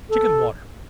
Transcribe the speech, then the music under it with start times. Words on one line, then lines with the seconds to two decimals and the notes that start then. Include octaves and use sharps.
Chicken Water.
0.10 A4